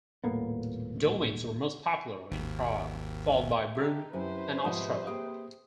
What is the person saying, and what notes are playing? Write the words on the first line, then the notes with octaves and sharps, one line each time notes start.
Domains were most popular in Prague, followed by Brno and Ostrava.
D#1 A2 A#3 B3
G#1 D#2
D#4 G4 E5 A5
F#2 C3 C#4 E4 B4 C5 G#5
G#2 B2 F3 G#3 D#6
A#3 G4 G#4 G5 D#6